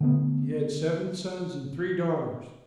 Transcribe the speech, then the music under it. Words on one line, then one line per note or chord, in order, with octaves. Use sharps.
He had seven sons and three daughters.
D3 A3 B3